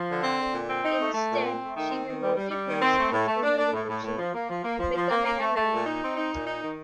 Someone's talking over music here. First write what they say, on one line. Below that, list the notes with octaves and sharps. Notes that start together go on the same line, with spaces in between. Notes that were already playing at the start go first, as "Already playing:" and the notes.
Instead, she devoted herself to her religion, becoming a nun.
Already playing: F3
D3
C4
D3
A#2
C4
D#4
A3
A3
A#2
C4
A3
D#3
C4
D#3
G3
G3
G3
D#3
C4
A3
A2
A3
D4
D4
A2
A2
A2
F3
A#3
F3
A#3
F3
F3
A#3
A#3
A3
A3
A#2
D#4
C4
D#4
A#2
D#4
D#3